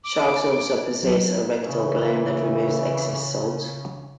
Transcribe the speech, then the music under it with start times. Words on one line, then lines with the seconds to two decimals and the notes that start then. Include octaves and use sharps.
Sharks also possess a rectal gland that removes excess salt.
0.04 D6
1.03 F#3
1.64 C#3 E3